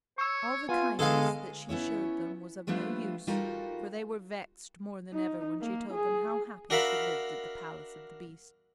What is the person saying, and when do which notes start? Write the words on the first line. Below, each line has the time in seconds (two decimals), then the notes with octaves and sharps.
All the kindness that she showed them was of no use; for they were vexed more than ever when she told them how happy she lived at the palace of the beast.
0.18 C#5 C#6 E6
0.69 B3 F4 G#5
0.99 D3 G#3 B3 G#4 A4 F5
1.69 B3 C#4 E4 C#5
2.67 F3 G3 A3 B3 D4 F4
3.27 G3 D#4 F4 F#4 A4 A#4
5.13 D#4
5.61 A#3
5.93 G#4
6.70 D4 F#4 A#4 E5 F5 B5